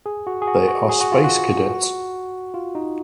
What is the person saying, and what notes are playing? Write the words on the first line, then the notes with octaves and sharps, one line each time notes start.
They Are Space Cadets.
G#4
F#4
G#4
F#4
F#4
G#4
F#4
F4
F#4
F4
D#4